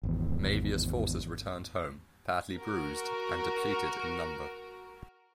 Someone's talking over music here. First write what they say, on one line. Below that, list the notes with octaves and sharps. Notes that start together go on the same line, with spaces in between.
Mavia's forces returned home, badly bruised and depleted in number.
G#1 E2
F#4 A#4